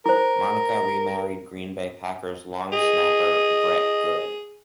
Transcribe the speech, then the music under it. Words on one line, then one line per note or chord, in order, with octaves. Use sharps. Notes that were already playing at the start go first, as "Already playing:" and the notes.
Monica remarried Green Bay Packers long snapper Brett Goode.
E4 A#4 C5
G#4 D#5